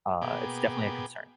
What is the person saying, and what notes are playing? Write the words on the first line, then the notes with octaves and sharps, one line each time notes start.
uh, it's definitely a concern.
B2 A#3 B3 G#4 G5 D6